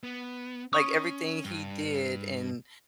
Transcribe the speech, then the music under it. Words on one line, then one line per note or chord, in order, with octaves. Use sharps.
like, everything he did and,
B3
C#4 C#6 D#6
G2